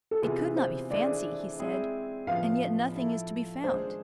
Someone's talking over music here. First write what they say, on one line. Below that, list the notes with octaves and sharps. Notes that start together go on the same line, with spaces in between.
"It could not be fancy," he said; "and yet nothing is to be found."
A4
C3 E3 B3 F4 G#4
C5
E3 A3 D4 G#4 D5
G#3 C4 E4 G#4
A2 F3 B3 F5
F3 A3 E4 A4
G#3 D4 G#4 C5